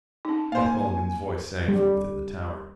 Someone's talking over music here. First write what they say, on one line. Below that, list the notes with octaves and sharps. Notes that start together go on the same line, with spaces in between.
Buck Mulligan's voice sang from within the tower.
C#4 D#4
A#3 C5 F5 C6
G#5
G3